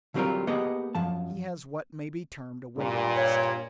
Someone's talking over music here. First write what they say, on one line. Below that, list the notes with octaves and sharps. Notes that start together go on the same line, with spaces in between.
He has what may be termed a waiting-list.
D3 F#3 G3 C4 F4 A#4
A#3 B3 G4 G#4 D#5
F#2 F3 A5
G2 A#2
C#5